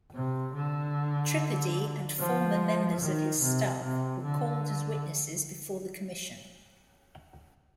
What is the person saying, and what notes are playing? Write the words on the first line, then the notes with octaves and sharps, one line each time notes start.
Tripodi and former members of his staff were called as witnesses before the Commission.
C3
D3
F3
D#3
C3
C3
D3